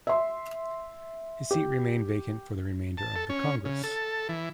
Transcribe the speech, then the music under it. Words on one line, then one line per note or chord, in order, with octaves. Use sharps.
His seat remained vacant for the remainder of the Congress.
E5 C6
G4
A5
A4
C#4
C#3
A4
E3